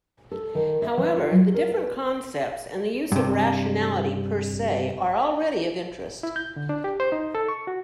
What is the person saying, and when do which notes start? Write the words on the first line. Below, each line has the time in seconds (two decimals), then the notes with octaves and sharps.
However, the different concepts and use of 'rationality' per se are already of interest.
0.32 A4
0.55 D#3
0.82 E5
0.97 E3
1.17 F4
1.31 F#3
1.54 A#4
1.72 B4
3.12 G2 C3
6.23 E4
6.36 G6
6.56 D3
6.69 D4
6.84 G4
7.00 C5
7.12 D#4
7.35 A4
7.48 C#6
7.67 F#4